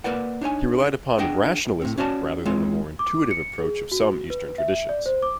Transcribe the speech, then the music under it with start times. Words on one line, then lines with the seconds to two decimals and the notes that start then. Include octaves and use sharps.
He relied upon rationalism rather than the more intuitive approach of some Eastern traditions.
0.04 A#3 A#4 B4 D5 F#5
0.41 D4 D#4 C#5 G#5
1.18 D4 G#4 D#5 F#5 G5
1.82 A2 C4
1.98 C#4 F#4 C#5 D5 A5
2.45 G#3 C4 F4 C#5
2.99 D6
3.31 C#7
3.60 G#4
3.92 F#4
4.30 B4
4.58 E5
4.89 D5
5.06 C5
5.23 D6